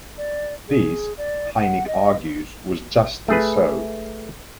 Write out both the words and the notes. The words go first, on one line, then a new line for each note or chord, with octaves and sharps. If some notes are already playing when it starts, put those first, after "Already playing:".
This, Heynick argues, was justly so.
D5
G#4
D5
F#5
D#5
A3 G#4 B4